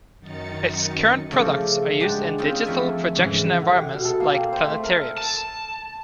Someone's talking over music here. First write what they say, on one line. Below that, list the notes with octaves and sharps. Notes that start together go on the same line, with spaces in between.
Its current products are used in digital projection environments like planetariums.
F#2 D#3 D#4 A6 C#7
C#3 F3 A3 A4 A#4 D5
G#3 D4 G4 F#5
G#3 C4 C#4 D#4 F4
F2 A3 A#4 E5 G#5
G#2 C#3 E3
D3
C3
B2
A4
A#3
C4
C5
A3
A#4
A4
A5